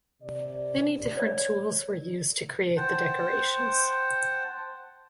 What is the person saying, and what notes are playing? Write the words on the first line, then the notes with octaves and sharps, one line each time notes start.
Many different tools were used to create the decorations.
C3 D5
C#5 D5
C5 F#5 G5 A5